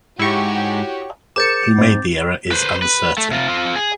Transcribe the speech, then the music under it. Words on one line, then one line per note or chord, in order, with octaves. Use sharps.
Who made the error is uncertain.
G#2 E4 F#4 G4 C#5 C#6
G#4 A#4 C5 D6 G6 A6 C#7 E7
G#2 C4
B4 C5
B4
A3
C3 F4
C4 F4
G#4